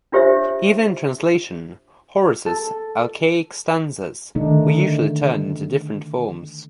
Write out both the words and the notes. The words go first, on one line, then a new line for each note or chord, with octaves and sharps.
Even in translation Horace's Alcaic stanzas were usually turned into different forms.
D4 F4 G4 C5 C#5 E5
A4
D3 D#3 A3 D4 D#4